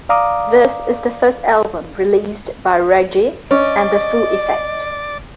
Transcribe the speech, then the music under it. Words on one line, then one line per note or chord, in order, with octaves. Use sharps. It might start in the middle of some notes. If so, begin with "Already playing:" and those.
This is the first album released by Reggie and the Full Effect.
D5 F5 A#5 D6 D#6
C#4 D5 D#5